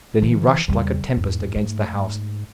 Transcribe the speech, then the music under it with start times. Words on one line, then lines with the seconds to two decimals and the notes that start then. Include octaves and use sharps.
Then he rushed like a tempest against the house.
0.22 D3 E3
0.68 E2 C#3 G3
1.17 E2 G#2
1.55 A3
1.93 G#2